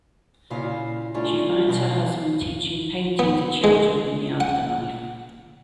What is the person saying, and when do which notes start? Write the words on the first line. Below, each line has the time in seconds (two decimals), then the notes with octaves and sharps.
She finds her husband teaching painting to children in the afterlife.
0.50 A#2 C#3 E4 F5
1.14 G3 A3 C#4 D4 F4
1.68 B2 E3 C4 F5
3.19 B3
3.64 G#3
4.40 F#5